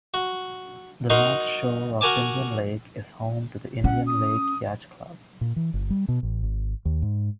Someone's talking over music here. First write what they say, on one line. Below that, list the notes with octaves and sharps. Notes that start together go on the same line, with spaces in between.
The north shore of Indian Lake is home to the Indian Lake Yacht Club.
F#4
D#4 F#4 A#4 C6
F#4 A#4 G#5 A5 D6
C#4 F#5
D#6
A#2
E3
G1
G3
B2
A1
G#1
D#2
G#2